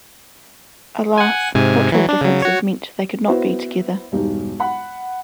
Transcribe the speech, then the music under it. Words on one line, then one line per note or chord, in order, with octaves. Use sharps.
Alas, cultural differences meant they could not be together.
F#5 G#5
G#2 C3 G#5
E3 F#3
D4
C#3 F#3
F#4 C#5
B3 E4 F#4 C5
E1 G2 D#4
F#5 B5